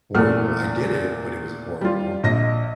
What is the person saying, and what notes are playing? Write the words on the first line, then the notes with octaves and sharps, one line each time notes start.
horrible. I did it, but it was horrible.
E2 A#2 A3 F6
G3 F4
A#1 D#5 A#6